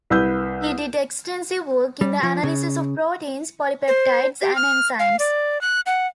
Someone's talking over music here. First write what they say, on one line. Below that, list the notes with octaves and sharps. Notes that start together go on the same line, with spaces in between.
He did extensive work in the analysis of proteins, polypeptides, and enzymes.
C2 B4 E6 G6
G3
F3
C#3
C5
G4
F6
F5
D5
F#6
F#5